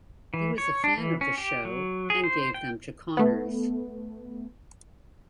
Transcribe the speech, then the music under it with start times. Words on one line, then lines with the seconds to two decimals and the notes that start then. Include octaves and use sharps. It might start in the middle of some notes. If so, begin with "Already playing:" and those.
He was a fan of the show and gave them to Connors.
0.34 E3
0.58 C#5
0.84 D4
0.97 E3
1.21 C#4
1.38 G4
1.65 F#3
2.10 G#4
2.24 C5
2.54 G5
3.17 A3 B3